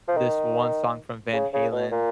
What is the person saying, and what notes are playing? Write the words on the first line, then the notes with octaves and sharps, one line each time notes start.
this one song from Van Halen,
F3
D#3
C#3
C#3
B2
A#2